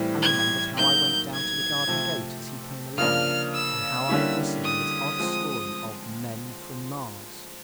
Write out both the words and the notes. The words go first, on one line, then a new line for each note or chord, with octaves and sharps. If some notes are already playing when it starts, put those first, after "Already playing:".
I remembered how I went down to the garden gate as he came along, and how I had listened to his odd story of "Men from Mars."
Already playing: A2 E3 G3 C4
G#6
F#3 A#3 D#4 F#4 G6
G#6
C3 F3 A3 C4
C#3 F3 A#3 D4 F6
E6
D3 G3 A#3 C#4 E4
D#6
F3 G#3 C4